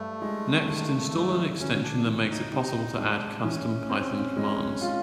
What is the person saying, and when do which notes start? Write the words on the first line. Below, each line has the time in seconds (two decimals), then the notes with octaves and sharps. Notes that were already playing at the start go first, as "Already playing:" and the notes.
Next, install an extension that makes it possible to add custom Python commands.
Already playing: G2 A3
0.22 G#3
0.68 D#3
1.14 G2
1.60 D2 C#4
1.83 D4
2.06 E3
2.29 D#4
2.52 C3 D#4
2.98 G#3 D4
3.43 E3 C#4
3.90 C4
4.37 G#3
4.82 F4